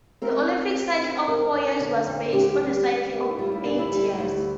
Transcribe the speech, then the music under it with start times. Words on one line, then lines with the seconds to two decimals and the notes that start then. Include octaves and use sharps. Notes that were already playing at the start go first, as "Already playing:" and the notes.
The Olympic cycle of four years was based on a cycle of eight years.
0.22 C4 A#4
0.48 F2
0.74 C4
1.01 F2
1.27 F2 A#4
1.54 F2
1.81 D3
2.07 F2
2.33 D2 G4
2.59 G3
2.86 D2
3.13 A#3
3.29 E4
3.39 G3 F4
3.52 E4
3.65 D2 D4
3.79 E4
3.92 G3
4.19 D2